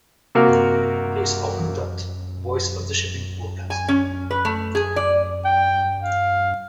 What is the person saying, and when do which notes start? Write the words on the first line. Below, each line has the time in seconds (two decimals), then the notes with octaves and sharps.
He is often dubbed "Voice of the Shipping Forecast".
0.35 C3 A#3 F#4 A#4
3.70 G#5
3.88 C#4
4.31 B4
4.45 A3
4.75 G#4
4.96 D5
5.45 G5
6.03 F5